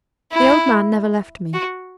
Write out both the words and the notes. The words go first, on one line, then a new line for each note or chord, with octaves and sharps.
The old man never left me.
E4
F#4